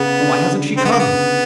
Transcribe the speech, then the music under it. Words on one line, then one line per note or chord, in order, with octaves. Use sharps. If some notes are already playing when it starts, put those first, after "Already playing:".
'Why hasn't she come?
Already playing: C#3 B3
D3
C#3 C4
B3
A#3
B3